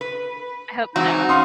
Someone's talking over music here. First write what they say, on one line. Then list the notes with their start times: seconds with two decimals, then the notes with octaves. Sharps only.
I hope so.
0.01 B4
0.96 E3 G#3 C4 D#4 F#4
1.29 C#4 F5 C6 D#6